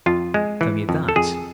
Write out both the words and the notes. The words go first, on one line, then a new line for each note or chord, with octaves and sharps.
Tell me that.
F2 F4
G#3
E3
F2
A4
F2 G#4